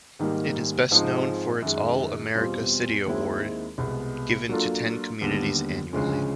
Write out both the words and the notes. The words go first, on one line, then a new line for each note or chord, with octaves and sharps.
It is best known for its All-America City Award, given to ten communities annually.
G#2 D#3 G3 A#3
G#2 F3 G#3 C4 D#4
F#2 D#3 G#3
E2 B2 G3 C4 F4
D#2 D#3 G#3 C4 E4
C2 B2 G#3 B3
F#3 A#3 D4 F4 A4
D#2 D3 G3 B3
D2 C#3 F3 G#3 C#4